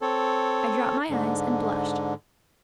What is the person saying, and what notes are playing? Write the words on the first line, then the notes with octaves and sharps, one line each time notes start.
I dropped my eyes and blushed.
C4 A4 C#5
G#2 D3